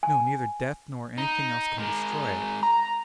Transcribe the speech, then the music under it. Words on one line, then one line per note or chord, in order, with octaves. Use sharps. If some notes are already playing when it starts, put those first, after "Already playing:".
No, neither death nor anything else can destroy it.
G#5
D#4
G#3 A#4
A#5